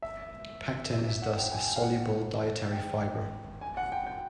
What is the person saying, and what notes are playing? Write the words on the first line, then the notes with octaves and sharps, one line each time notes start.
Pectin is thus a soluble dietary fiber.
E5
E5
E5
F#5
G5
G#5
G5
F5
F#5
G5
G#5
F#5
G5
G5